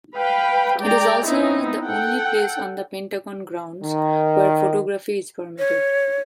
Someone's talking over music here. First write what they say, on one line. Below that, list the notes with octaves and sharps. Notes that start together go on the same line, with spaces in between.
It is also the only place on the Pentagon grounds where photography is permitted.
B4 F5 G5 B5
G#3 D5 G5 A#5
B3 C4 D#4 E4
A4 F#5 G5
D#3
C#5